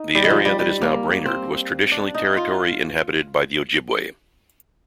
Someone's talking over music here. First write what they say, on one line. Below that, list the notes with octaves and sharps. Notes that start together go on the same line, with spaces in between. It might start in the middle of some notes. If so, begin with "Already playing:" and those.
The area that is now Brainerd was traditionally territory inhabited by the Ojibwe.
Already playing: D#4
G3
D#3
F3
G3
G3
A#3
C4
D4
D#4
F4